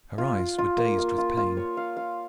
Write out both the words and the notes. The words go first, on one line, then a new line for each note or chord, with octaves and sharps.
Her eyes were dazed with pain.
F4
F4
F4
A#3
A#3
F4
F4
C#5
F5
F5